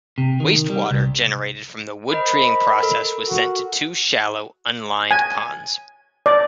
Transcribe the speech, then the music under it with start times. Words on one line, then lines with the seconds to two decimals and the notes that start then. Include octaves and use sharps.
Wastewater generated from the wood-treating process was sent to two shallow, unlined ponds.
0.18 C3
0.40 D#3
0.70 G3
0.91 C2
2.11 A#4 C5 D#5 B5
2.83 A4 A#4
3.28 F#4
5.11 G#5
6.26 D5